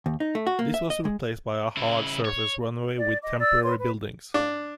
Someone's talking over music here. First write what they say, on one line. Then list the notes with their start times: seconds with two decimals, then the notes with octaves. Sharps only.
This was replaced by a hard surface runway with temporary buildings.
0.06 D#2
0.20 D#4
0.35 A3
0.47 F#4
0.59 A#3
0.74 E5
0.90 D#5
1.05 G#3
1.77 C#3 E4
2.25 C#5
2.96 D5
3.22 D#5 D6
3.39 D5 E6
3.63 B4 C#5 C6
3.78 B4
4.34 D4